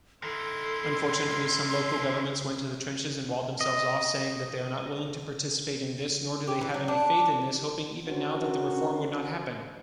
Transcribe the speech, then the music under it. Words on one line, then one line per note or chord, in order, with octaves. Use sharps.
Unfortunately some local governments went to the trenches and walled themselves off, saying that they are not willing to participate in this nor do they have any faith in this, hoping even now that the reform would not happen.
D#3 E4 A4 C6
D#5
G4
E3
F#3
D4
C#4 D4 F#4 A#4 C5